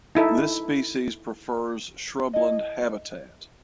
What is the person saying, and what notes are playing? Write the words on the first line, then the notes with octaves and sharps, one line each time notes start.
This species prefers shrubland habitat.
D#4 E4 A4
E4 A4 D#5